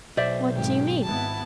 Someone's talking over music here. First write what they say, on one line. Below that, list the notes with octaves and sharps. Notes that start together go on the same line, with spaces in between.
What do you mean?
B1 C5 D5 E5
G#1 G4
G#1 B3 E4 A5